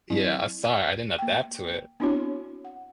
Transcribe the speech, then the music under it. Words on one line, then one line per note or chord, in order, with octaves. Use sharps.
Yeah, I saw it, I didn't adapt to it.
F#3 C4 E4
A#3 G5
B3 C4 D4 E4 F#4 C#5
F#5